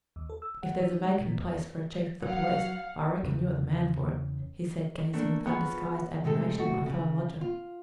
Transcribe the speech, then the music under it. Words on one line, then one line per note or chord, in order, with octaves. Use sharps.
"If there's a vacant place for a chief of the police, I reckon you are the man for it," he said, gazing with undisguised admiration at my fellow-lodger.
D#2
A4
E6
F#5
E3
D#4
G#3
A#2
E2
F#3 F5 F#5
E2 C#3
A3 A#3 D4
B3 F4 G#4 C#5 F#5
C3 G#3 A3 A4
A3 F#4
C#3
F4